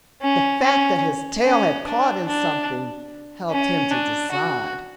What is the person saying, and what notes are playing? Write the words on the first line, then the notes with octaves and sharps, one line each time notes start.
The fact that his tail had caught in something helped him to decide.
C#4
C#4
C#4
D4
D4
C#4
D4
F#4